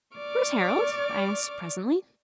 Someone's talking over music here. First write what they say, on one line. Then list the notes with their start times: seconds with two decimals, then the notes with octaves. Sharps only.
"Where's Harold;" I asked presently.
0.17 D5 C#6 D6 F6